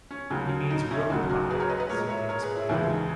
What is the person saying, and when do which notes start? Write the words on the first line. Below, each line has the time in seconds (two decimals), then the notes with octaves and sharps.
"He means rook-pie," Sylvie explained.
0.11 C#4
0.30 D#2 C#3 F#3
0.70 D#4
0.91 C#4 E4
1.10 D#2 C#3 F#3 D#4 F#4
1.30 F#4 A#4
1.50 G#4 B4
1.60 A#4 C#5
1.70 B4 D#5
1.80 B4 D#5
1.89 A#2 G#3 A#4 C#5
2.09 C#5 E5
2.29 A#4 C#5
2.42 G#4 B4
2.55 E4 G#4
2.69 D#2 C#3 E3 G#3 E4 G#4
2.90 D#4